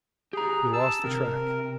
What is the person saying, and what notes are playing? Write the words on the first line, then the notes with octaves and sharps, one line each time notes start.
We lost the track.
G4 G#4 A#5
A5 E6
C3 A#4